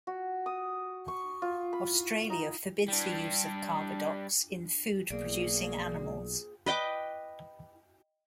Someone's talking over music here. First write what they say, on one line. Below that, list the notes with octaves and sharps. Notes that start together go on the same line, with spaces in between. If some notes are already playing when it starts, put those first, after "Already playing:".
Australia forbids the use of carbadox in food producing animals.
F#4
D#6
C#6
F4
B5
D#4
G3 D4
B1 A#3 G#4 D5
B4 D#5 G5 D6